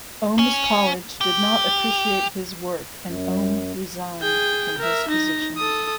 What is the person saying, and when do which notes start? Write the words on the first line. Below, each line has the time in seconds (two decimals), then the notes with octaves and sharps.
Ohm's college did not appreciate his work and Ohm resigned from his position.
0.39 C#4
1.21 G4
3.04 F#2
4.22 G#4 G5
4.78 A#4 E5
5.09 D#4 A#6
5.58 A4 D#6